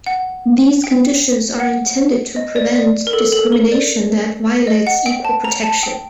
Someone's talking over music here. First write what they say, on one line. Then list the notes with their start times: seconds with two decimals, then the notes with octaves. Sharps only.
These conditions are intended to prevent discrimination that violates equal protection.
0.06 F#5
0.84 G5
1.60 F#5
2.36 D#5
2.56 D5
2.75 D5
3.07 A#4
3.13 A4
3.32 A4
3.52 A#4
3.72 D5
4.67 D#5
4.87 F#5
5.06 G5
5.25 A5
5.44 A#5
5.63 A5
5.83 G5